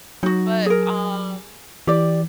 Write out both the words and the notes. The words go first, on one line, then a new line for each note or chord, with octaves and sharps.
But, um,
F#3 D#4 F#4
G#4 A#4
E3 G4 D5